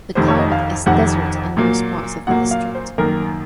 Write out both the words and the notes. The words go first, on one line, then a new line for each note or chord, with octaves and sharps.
The climate is desert in most parts of the district.
F1 F2 C3 D#3 C5
C#5
D#5
F5
F1 F2 C3 D#3 F#5
A#2 F#3 A#3
A#2 F#3 A#3 F#5
F5
C5
F#2 D#3 A#3 A#4